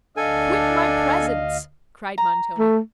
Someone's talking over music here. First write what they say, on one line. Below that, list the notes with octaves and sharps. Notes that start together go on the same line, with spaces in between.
'Quit my presence!' cried Montoni.
D2 D4 A4 D#5 F5 G#5
A#5
A3